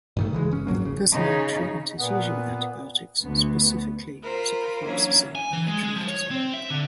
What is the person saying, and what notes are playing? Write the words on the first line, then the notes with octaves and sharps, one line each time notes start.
First line treatment is usually with antibiotics, specifically with ciprofloxacin and metronidazole.
G2 D#3 A3
C#3 E3 G3 G#3
G1 C#4
G#2 F3 F#3 A#3
F1 C#3
C#3 D#4
A#2 B3
D2 B3
F4 A#4 C5 B5
E3 F#3 A#3 C#4 D4 E4
G#5
E3
G#3
G#3
F3
C#5
C4
E5
D3